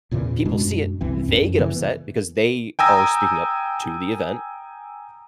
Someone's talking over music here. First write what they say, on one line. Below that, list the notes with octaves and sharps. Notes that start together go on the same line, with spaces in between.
People see it, they get upset because they are speaking up to the event.
E2 A#2 C#3 E3
F#2 B2 G#3 D4
C2 E3 C4
F#2
C#3 E3 B3
G5 G#5 A#5 D#6 E6 A#6